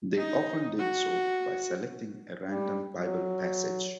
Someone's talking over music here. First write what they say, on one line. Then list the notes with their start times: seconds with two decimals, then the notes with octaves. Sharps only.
They often did so by selecting a random Bible passage.
0.17 D#4
0.79 F#4
2.43 G3
2.96 F#3